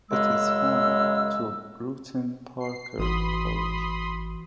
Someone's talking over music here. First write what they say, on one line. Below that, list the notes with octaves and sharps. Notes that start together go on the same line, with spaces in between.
It is home to Brewton-Parker College.
F#2 C#3 G#3 E6
C7
G#1 E3 F#4 B5 C6 D#6